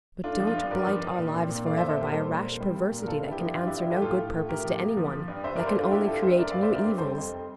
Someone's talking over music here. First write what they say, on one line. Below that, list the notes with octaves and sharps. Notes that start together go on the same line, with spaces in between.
But don't blight our lives forever by a rash perversity that can answer no good purpose to any one, that can only create new evils.
A3 D4 F4
F3
D4 F4
G2
G2 A#4 D5
F3
G2
A#2
C4
A#2
A3 D5 F5
C5 E5
A#2
A4 C5
A#2 G4 A#4
G3 A4 C5
A#2
A#3
G3
A#3
A#2
A#4
G2 F4 A4
G2
E4 G4
F3
F3 D4 F4
E4 G4
G2
E4 G4
F3 F4 A4
G4
A2 F4 A4
A2
A2
A2 G4 A#4
F3
A#3
F3
F3
G2
G2 C5 E5
A#4 D5
G2
A4 C5
A3 D4 F4
G2 E4 G4
A3 F4 A4
G2 C5 E5
G2 A#4 D5
G2 D5 F5
C5 E5
G2 A#4 D5
C4
A4 C5
G3
F2
C4